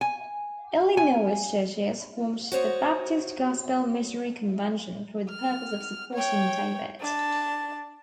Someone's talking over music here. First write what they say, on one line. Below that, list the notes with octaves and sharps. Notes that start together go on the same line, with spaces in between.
Illinois churches formed the "Baptist Gospel Missionary Convention" for the purpose of supporting David.
G#5
G#5
F#4 C5 C#5 D#5
F6
C#5 G5
D4 A5